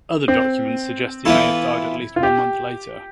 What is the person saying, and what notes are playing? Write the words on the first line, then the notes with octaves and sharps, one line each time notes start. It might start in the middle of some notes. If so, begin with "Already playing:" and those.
Other documents suggest he may have died at least one month later.
C4
E3 B3 E4 F4 A4
F4
G4